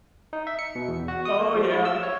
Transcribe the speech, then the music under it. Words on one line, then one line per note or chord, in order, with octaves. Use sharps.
Oh yeah.
D#4
E5
C#7
B2
E2
F#4
D#6
A#3
F3
E4
E6
C#5